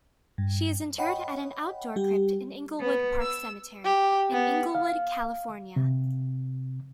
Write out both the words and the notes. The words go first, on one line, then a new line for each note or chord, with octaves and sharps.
She is interred in an outdoor crypt at Inglewood Park Cemetery in Inglewood, California.
G2
C#5 D#5 F#5 G5 B5
G3 G4
B3
E6
G4
B3
F5
C3